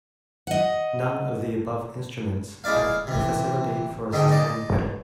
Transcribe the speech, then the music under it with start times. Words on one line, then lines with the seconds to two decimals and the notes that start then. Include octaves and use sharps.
None of the above instruments have the facility for a sustain pedal.
0.47 D#5 F#5
2.64 G#3 E4 D5 F5
3.07 C3 E3
4.13 G#2 D3 D#4 G5
4.31 D5 D#5 A#5